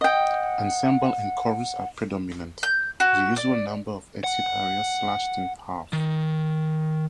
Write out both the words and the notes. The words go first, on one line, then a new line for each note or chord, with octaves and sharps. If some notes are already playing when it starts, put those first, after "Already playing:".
Ensemble and chorus are predominant: the usual number of exit arias slashed in half.
D#5 F#5 G5
G6
F#4
D5
F#5
D#3